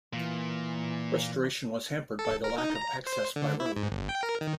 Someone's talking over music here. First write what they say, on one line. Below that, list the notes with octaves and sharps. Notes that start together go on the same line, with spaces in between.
Restoration was hampered by the lack of access by road.
A#2 E3
A4
A#4
D#4
A#5
C5
D3
E4
G#2
G1
G5
A#4
D#3